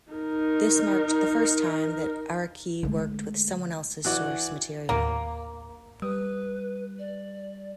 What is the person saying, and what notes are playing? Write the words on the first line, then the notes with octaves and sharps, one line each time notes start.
This marked the first time that Araki worked with someone else's source material.
D#4 A#4
D3 G#3 A3
E3 F#4 D5
D#2 A2 A#3
G3 B4 D#6
D5